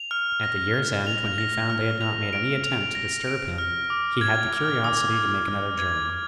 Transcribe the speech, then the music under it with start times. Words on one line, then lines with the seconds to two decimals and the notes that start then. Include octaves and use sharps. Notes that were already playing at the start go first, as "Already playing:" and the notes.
At the year's end, when he found they had not made any attempt to disturb him, he had the curiosity to make another journey.
Already playing: F7
0.11 F6
0.43 A#6
0.74 F6
1.07 F7
1.38 A#6
1.70 F6
2.01 F7
2.33 D7
2.63 F7
2.95 A#6
3.27 D7
3.58 F6
3.90 D6
4.21 G#6
4.53 F6
4.84 D6
5.15 D6
5.48 F6
5.79 G#6
6.10 D6